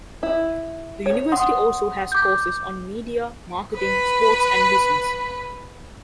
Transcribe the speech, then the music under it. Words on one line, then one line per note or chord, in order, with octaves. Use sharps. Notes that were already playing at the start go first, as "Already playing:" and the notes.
The university also has courses on media, marketing, sports and business.
E4
C#5
F#5 C6 D#6
D6 G6
B4 B5